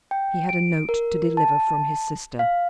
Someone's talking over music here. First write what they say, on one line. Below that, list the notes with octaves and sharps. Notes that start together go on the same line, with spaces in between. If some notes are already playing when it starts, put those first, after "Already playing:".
He had a note to deliver from his sister.
G5
D7
A#4
A5
F5